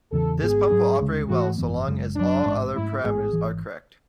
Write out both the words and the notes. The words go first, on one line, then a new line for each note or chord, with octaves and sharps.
This pump will operate well so long as all other parameters are correct.
E2 C#3 E3 A4
G#1 G#2 G#3 B3 G#4
G#2 F#3 C#4
D2 C#3 G#3 C#4
G#2 E3 A3 F#4
G#1 F#2 E3 B3
F#1 F#2 C#3 G#3
F#1 F#2 C#3 F#3 D4
A1 G#2 G#3 C#4
G#2 F#3 A3 C#4 E4
A1 G#2 G#3 B3 G#4
G#1 F#2 E3